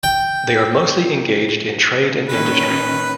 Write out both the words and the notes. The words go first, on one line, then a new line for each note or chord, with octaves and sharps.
They are mostly engaged in trade and industry.
G5
A#2 D#3 C#4 B4